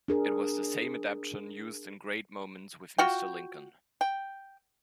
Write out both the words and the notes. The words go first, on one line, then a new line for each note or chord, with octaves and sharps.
It was the same adaptation used in "Great Moments with Mr. Lincoln".
D4 G#4 A#4
F4 F#4 G5
G5